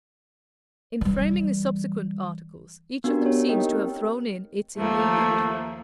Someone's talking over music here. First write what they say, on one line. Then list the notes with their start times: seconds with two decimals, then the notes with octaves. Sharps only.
In framing the subsequent articles, each of them seems to have thrown in its ingredient.
1.01 E3 G3
3.04 B3 D4 F#4 G4 A#4
3.25 G4 C#5
3.49 A#3 D#4 G4 A#4 D#5 G5
3.73 C4
4.78 D#2 F3 A3 A#3